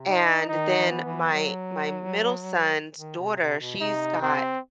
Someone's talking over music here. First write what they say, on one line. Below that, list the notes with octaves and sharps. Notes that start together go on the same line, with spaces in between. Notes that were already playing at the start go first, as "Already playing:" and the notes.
And then my my middle son's daughter, she's got
Already playing: C3
D#4
D#3 D#4
E3
B3
E3
E3
F#3
D#3
C3
C3
B2
C3 D#4
C4